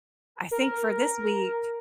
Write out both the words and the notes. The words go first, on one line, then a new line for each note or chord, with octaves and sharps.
I think for this week
A#4